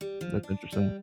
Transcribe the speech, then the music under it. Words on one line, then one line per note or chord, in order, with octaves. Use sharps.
That's interesting.
G3
F3
D4
G3